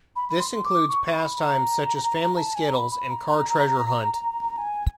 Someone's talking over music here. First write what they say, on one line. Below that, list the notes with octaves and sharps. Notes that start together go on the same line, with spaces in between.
This includes pastimes such as family skittles and car treasure hunt.
B5
B5
C6
D6
C#6
B5
A#5
A5
G#5
A#5
B5
B5
A#5
G#5